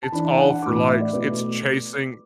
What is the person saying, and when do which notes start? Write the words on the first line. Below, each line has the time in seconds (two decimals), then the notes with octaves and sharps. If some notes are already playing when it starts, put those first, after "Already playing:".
It's all for, likes, it's chasing
0.03 A5
0.12 E3 D4 B5
0.26 A5
0.37 F#5
0.50 F#5
0.62 A2 E3 D4 D6
0.75 B5
0.88 E5
1.01 D5
1.13 B2 A3 E4 B4
1.25 B4